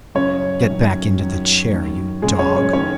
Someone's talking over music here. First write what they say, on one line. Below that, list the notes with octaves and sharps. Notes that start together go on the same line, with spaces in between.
Get back into the chair, you dog!
F#2 C#3 C#4 C#5
F#2 D#3
F#2 D#3
F#2 D#3
F#2 C#3 G#3 G#4
C#4 C#5
C#4 C#5
D#3 C#4 C#5